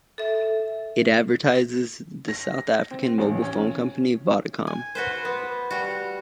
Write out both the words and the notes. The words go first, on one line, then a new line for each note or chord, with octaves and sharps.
It advertises the South African mobile phone company Vodacom.
A4 E5
A#6
C4
A1
C#4
G#5
F#4 B4 C5
B3
G3 F#4